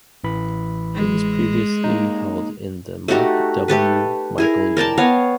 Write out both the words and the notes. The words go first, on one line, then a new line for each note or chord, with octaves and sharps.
He was previously held in the Mark W. Michael Unit.
A1 E3 B5
G#3
A#3 D#4
A3 D#4 F#4 G4
A3 G4 A4 B4
E4 G#4 A#4
A#4 D5 G5 A5
B3 C#5 F5